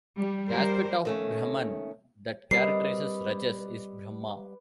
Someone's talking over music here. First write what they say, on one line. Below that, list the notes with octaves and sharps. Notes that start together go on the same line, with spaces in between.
The aspect of Brahman that characterizes "Rajas" is Brahma.
G3
G3 A#4 C5
D#3 A3 C#4
G3 C4 A#4 B4 D5 D#5 C7